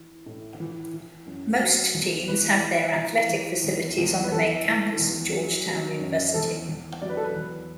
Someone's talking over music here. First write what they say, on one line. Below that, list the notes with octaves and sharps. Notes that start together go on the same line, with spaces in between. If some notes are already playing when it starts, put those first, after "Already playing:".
Most teams have their athletic facilities on the main campus of Georgetown University.
Already playing: E3
A2
E3
E3
F#2
F#3
E2
E3 B4
E3
E3
E3
E2
E2
B4
E3 A4
E3
E2
F#3
F#3
F#2
E2 A4
E2
F#3 D5
B4
A4
B4
E2